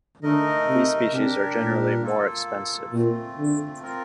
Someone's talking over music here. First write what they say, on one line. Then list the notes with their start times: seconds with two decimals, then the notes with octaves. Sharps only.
These species are generally more expensive.
0.23 D3 A3 D#4 A#4 D#5
0.67 C3
1.12 C3 D4 G4 A#4
1.57 A#2
2.02 A#3 F4 A4
2.92 A#2 A3 C4 F4
3.38 D3
3.82 C4 F4 A#4